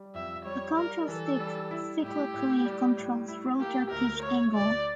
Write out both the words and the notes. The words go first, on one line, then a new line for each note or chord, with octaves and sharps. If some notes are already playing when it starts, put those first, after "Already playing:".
A control stick cyclically controls rotor pitch angle.
Already playing: G3
F2 E5
G3 C#5
G3 A#4
E3 A4
G3
E4
A2 G4
A2
G3
A2
E4
A#3 G4
D2 A#4
A3 C#5
D2 D5